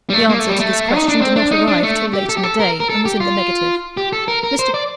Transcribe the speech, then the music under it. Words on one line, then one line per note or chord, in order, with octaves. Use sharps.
The answer to this question did not arrive till late in the day; and was in the negative--Mr.
G3
A3
A#3
A3
G3
A3
D#4
D4
C4
D4
D#4
D4
A3
G4
A4
G4
A4
A#4
A#4
A4
G4
F4
G4
A4
A#4
A#4
C5
D5